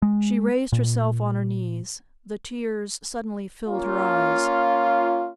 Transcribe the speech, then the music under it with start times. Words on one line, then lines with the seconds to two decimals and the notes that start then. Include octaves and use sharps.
She raised herself on her knees; the tears suddenly filled her eyes.
0.02 G#3
0.72 A#2
3.69 A#3 C#4 F4